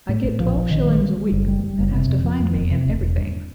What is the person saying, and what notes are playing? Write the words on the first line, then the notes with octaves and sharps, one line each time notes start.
"I get twelve shillings a week, and that has to find me in everything!"
A2
A#1
F3
A#1
D#3
G3
G3
G3
F#1
G3
G3
F#1
C3
F2
F3
F2
E1
C3
E1
E1
G2